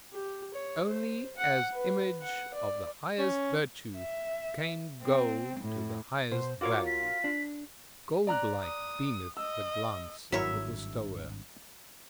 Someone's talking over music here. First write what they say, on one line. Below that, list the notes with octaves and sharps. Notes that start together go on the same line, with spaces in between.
Only as image of the highest virtue came gold to the highest value. Goldlike, beameth the glance of the bestower.
G4
C#5
C5
F#5
B4
F#5
D5
C#4
E5
C4
A2
B2 C5
F4 F#4 A#4 C#5 D6
B6
D4
D5 A#5 F#6
D#6
D#5 E6
G#1 G2 F#3 E4 A#4 C#5 E5